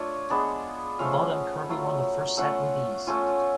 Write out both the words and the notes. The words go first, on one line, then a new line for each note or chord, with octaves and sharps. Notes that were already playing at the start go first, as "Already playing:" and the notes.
Bond and Kirby won the first set with ease.
Already playing: A3 D4 F4 C#5
G#3 B3 D4
F3 A3 C#4 F4 F5
F#3 A3 F4
A3 C#4 F4 F#5
A3 C#4 F4